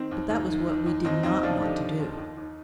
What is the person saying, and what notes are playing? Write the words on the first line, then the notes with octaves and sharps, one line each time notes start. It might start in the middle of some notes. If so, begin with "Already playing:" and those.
But that was what we did not want to do.
Already playing: D#3 C4
D#2
D#2
D#3
D#3
D#2
D#2 C4 D#4
D#2 C4 D#4
F3 D4 F4
D3 D#4 G4
D#2
D#2
D#2
D#2